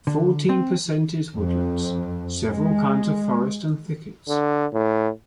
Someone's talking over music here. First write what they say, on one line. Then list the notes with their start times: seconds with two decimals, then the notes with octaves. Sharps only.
Fourteen percent is woodlands - several kinds of forest and thickets.
0.07 D3
0.49 C4
1.34 F2
2.49 G#3
4.28 D3
4.73 A2